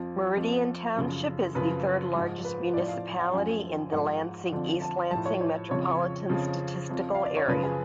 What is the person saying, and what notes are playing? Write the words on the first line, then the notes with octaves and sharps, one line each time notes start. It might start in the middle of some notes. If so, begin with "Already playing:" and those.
Meridian Township is the third largest municipality in the Lansing-East Lansing Metropolitan Statistical Area.
Already playing: F2 F3
F2 F3
F#2 C#3 F3
F#2 C#3 F3 B4
G#2 F3
B4
A2 F3 D5
F5
F#5
F#2 F3 G#5
G#2 F3 F#5
F2 D3 F3
A5
A2 F3 A5
C#5
C#5
F2 C#3 F3 C#5
F2 C#3 F3
F2 F3
F5
D5
C#5
F#2 C#3 F3 B4
G#4